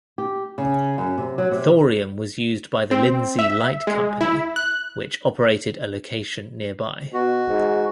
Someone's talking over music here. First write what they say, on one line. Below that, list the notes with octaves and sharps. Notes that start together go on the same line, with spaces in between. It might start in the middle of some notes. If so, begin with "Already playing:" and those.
Thorium was used by the Lindsay Light Company, which operated a location nearby.
G4
C#3
F#2
C3
F#3
C3
C4
E5
G#3
E4
F#6
B2 F#4
G#2